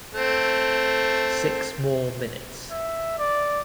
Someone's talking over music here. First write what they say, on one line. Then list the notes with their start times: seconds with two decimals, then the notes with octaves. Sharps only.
Six more minutes.
0.14 A3 C4
2.71 E5
3.18 D5